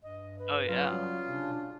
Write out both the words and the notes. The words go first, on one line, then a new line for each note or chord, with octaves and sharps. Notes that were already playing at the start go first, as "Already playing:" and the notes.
Oh, yeah.
G2 D#5
B4
C#3 F#3 F4
F#3 G3
C3 D4
B2